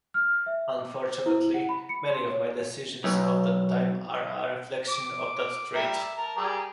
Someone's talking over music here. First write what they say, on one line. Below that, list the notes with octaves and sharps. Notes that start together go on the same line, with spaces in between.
Unfortunately, many of my decisions of that time are a reflection of that trait.
F6
E5
D6
C5
E4
F#5
B5
C#7
C6
C#5
B1
D6
G3 E5 A#5
A#4 A5
G3 G#4 A#5